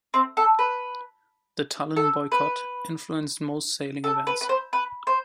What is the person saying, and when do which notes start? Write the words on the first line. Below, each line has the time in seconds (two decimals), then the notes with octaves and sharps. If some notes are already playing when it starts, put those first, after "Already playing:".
The Tallinn boycott influenced most sailing events.
0.14 C4
0.37 A4
0.59 B4
1.97 A4
2.32 B4
4.04 A4
4.27 B4
4.41 B4
4.49 C5
4.73 B4
5.07 C5